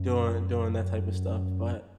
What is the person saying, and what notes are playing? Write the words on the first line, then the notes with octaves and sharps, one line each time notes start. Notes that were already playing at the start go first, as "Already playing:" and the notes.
doing doing that type of stuff, but
Already playing: F#2